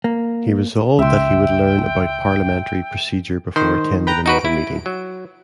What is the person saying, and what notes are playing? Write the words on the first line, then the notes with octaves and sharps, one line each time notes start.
He resolved that he would learn about parliamentary procedure before attending another meeting.
A#3
C#2 E5 G5 C6
D#3 C5
B4 G5 A#5
D#4 F#4 B4 D7
E4
F#3